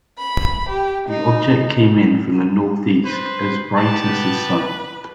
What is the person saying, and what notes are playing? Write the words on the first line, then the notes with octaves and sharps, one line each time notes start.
The object came in from the northeast, as bright as the Sun.
B5
G4
D#4
B4 C5
B3 G4 B4 A5